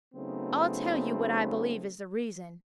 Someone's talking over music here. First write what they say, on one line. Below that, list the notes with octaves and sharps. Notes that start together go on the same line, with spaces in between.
I'll tell you what I believe is the reason.
C#3 F#3 A3 B3 C4 D#4